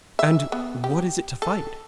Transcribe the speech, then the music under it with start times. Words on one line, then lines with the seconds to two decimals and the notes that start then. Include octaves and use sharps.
'And what is it to fight?'
0.19 E5
0.52 B3
0.84 G4
1.42 A4